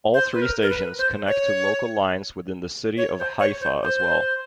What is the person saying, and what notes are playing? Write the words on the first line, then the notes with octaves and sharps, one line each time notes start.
All three stations connect to local lines within the city of Haifa as well.
C5
B4
A#4
A#4
B4
C5
C#5
C#5
C5
C#5
C5
C5